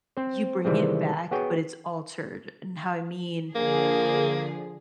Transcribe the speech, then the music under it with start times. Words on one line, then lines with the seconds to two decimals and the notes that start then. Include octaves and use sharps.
you bring it back, but it's altered, and how I mean,
0.17 C4 C5
0.65 C3 D#3 E3 G3 G#3 C4
1.31 B3 F#4 G#4 C#5 G5
3.56 D3 F3 A#3 G#4